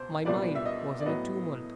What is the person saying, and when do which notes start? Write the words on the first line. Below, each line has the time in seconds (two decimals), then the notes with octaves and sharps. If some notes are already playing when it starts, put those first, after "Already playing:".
My mind was in a tumult.
Already playing: C#2 B2 C5
0.25 C2 A#2 G3 B3 D4 D5
0.55 E5
0.65 D#5
1.00 D5
1.06 A2 F#3 B3 D#5